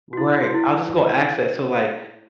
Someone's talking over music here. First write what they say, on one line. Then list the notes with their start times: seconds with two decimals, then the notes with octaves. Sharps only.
Right, I was just gonna axe that, so, like,
0.13 F#4
0.17 E4
0.42 F#4
0.54 E4